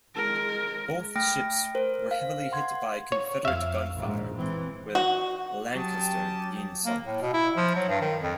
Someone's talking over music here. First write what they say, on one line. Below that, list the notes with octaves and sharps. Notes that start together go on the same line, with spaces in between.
Both ships were heavily hit by Confederate gunfire, with "Lancaster" being sunk.
G#3 A#4
A3 G5 F6 A#6 D7
A#4 C5
F5
F#5 C6 G#6
C#5
F2 E5 F5
A#1 G#2
E3 C4
F#4
F#3 C#4 G4 G5 A5 D#6
A#3
A2
B2
E4
F3
F#3
G2
D#3
F2